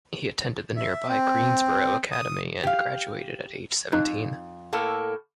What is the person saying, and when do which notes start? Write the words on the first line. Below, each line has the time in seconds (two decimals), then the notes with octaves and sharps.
He attended the nearby Greensboro Academy and graduated at age seventeen.
0.77 E5
1.08 C4
2.12 D#6
2.63 G4 F5
3.92 F2 D#4 F#6
4.73 A2 A#3 A4